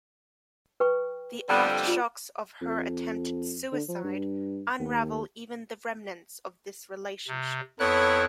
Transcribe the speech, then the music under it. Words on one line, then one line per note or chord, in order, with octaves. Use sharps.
The aftershocks of her attempted suicide unravel even the remnants of this relationship.
B4 G5 C#6
F2 D3 G3
F4
F2
D3
F3
G2
D#2
C3
F2 B3 E4 A4 C#5 F#6